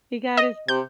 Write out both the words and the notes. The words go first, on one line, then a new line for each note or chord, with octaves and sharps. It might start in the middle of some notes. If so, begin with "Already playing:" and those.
he got his
D#5
C3 G6